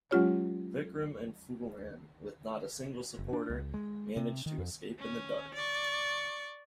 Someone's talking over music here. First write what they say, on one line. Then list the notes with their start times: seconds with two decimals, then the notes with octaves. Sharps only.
Vikram and Phoolan, with not a single supporter, managed to escape in the dark.
0.11 F#3 G#3 C#4 F4 G4 C#5
3.19 F#1
3.33 D4
3.50 C#2
3.74 G#3
4.16 C3
4.46 D#3
4.58 F2
4.99 C#4
5.54 D5 C#6